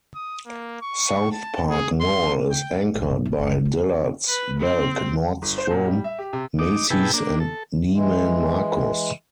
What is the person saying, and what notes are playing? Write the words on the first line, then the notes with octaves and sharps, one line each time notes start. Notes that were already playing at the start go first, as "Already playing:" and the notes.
SouthPark Mall is anchored by Dillard's, Belk, Nordstrom, Macy's and Neiman Marcus.
D#6
A#3
C#6
A5
G#4
C6
G5
A#1
G2
D#1
F#1
F4
B4
C4
G1
C5
A#2
G3
E5
G4
C3
D#4 D6
B2 E4 G#4 B4 G5 A5
A#3 D4
A4
E3 G#3